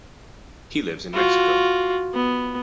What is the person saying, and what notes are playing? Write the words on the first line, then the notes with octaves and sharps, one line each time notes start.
He lives in Mexico.
F4 F#4
B3